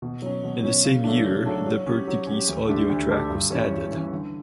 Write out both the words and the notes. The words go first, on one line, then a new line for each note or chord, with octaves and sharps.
In the same year, the Portuguese audio track was added.
B2
F#3 C#4
B2
F#3 C#4
C#3
F#3 A3 D4
C#3
F#3 A3 D4
F#3
C#4 G4
F#3
C#4 G4
D2
D3 A3 D4 G4
D2
D3 A3 D4 G4
G2
E3 G3 C#4
G2
E3 G3 C#4
D3